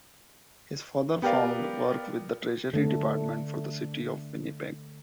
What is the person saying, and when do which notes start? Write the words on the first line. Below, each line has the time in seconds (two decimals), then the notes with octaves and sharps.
His father found work with the treasury department for the city of Winnipeg.
1.22 B3 G4 A#4 D5 F5
2.73 D3 A3